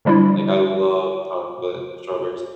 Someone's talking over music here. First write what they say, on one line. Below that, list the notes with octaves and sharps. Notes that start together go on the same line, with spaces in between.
Like, I love chocolate strawberries.
D3 F3 G3 D4 E4